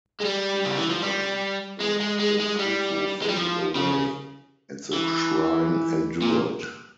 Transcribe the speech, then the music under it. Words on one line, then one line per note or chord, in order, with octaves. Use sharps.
In time, the bakufu faded away; and the shrine endured.
G#3
G3
C#3
E3
F3
G3
G#3
G#3
G#3
G#3
G3
G#3
G3
F3
C#3
E3
A#2